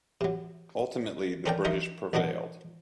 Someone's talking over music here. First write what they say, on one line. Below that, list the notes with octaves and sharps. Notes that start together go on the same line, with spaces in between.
Ultimately, the British prevailed.
C3 F#3
C4 C#4 A4 A#4 D5 G5
D#4 A#4 C5 D#5 E5
B1 B2 D4 F#4 D#5 D6